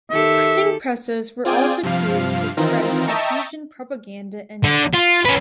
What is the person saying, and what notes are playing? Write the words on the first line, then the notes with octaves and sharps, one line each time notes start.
Printing presses were also created to spread partisan propaganda and news.
D#3 G4 A4 E5
C4 F4 G#4 D5 G5 G#5
G2 C3 F3 F5
D#3 E3 C4 D#4 F4 A#4
D#5 E5 G5 A5 A#5 C#6
D3
F4
C#4 B4